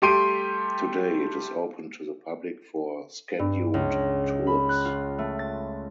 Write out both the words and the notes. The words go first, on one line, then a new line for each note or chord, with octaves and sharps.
Today it is open to the public for scheduled tours.
G3 A3 G4 C6 D7 D#7
G2
C#2
B5
F#6
F4
A3
A6